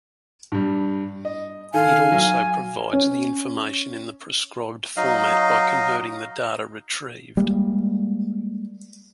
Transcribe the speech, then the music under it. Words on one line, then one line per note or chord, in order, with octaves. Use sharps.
It also provides the information in the prescribed format by converting the data retrieved.
G2 G3
D#5
D#3 A4 F5 G#5
F#3
C#4
F#3 D#4 D#5 F5
G3 G#3 A#3